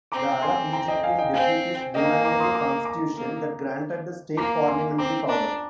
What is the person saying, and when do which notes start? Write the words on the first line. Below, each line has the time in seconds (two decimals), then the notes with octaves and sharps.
The Arab-Egyptian deputies demanded a constitution that granted the state parliamentary power.
0.12 C4 A#5 D6
0.42 G#5 C6
0.73 G5 A#5
0.88 D#5 G5
1.03 F5 G#5
1.19 D#5 G5
1.34 C4 F5 G#5
1.94 A#3 D#5 G5
2.05 A#5
2.10 F5 G#5
2.25 A#5 D6
2.40 C6 D#6
2.55 A#5 D6
2.85 A#5 D6
3.17 A#3
4.37 A#3 A#5 D6
4.68 G#5 C6
4.98 C4 A#5 D6
5.28 D4 A#5 D6